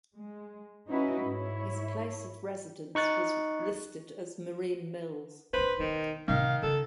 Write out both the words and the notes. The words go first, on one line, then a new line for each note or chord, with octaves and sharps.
His place of residence was listed as Marine Mills.
G#3
C#4 D#4 E4 F#4 B4
G#2 E4 C#5
D#4 C#6 F#6 A6
A#1 D4 B4 C5
E1 D#3 B3
A2 C3 D#3 F5
C#3 A4